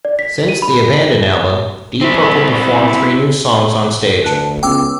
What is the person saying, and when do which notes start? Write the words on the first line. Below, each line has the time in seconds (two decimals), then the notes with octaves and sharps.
Since the "Abandon" album, Deep Purple performed three new songs onstage.
0.05 D5
0.19 B6
0.49 D#7
0.62 B5
2.01 C4 E4
4.24 D2 B4 A5 F#6
4.63 C#2 B3 C#4 G5 D6 E6